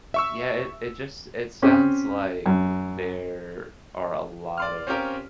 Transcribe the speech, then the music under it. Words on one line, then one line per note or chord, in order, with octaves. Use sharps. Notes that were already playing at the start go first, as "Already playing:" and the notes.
Yeah. It it just it sounds like there are a lot of
E5 C#6 E6
C4 C#4 G4
F#2
D5 C6 F6
C4 C#4 F4 G4 A#4